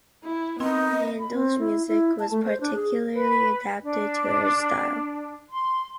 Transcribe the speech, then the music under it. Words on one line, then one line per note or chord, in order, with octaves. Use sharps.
Handel's music was particularly adapted to her style.
E4
B3 C4 D#4 A#4 D#5 C6
B5
C4
E4
E4
A5
A3
C5
D4
G#4
B4
D4
C6